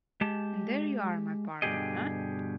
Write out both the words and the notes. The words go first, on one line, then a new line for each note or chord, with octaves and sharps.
And there you are, my partner, eh?
G#3 G4 A5
G2 B2 D3 G4 G#4 D#5